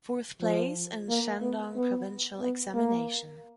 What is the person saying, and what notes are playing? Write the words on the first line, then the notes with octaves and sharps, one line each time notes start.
Fourth place in Shandong provincial examination.
F3
A#3
B3
B3
B3
A#3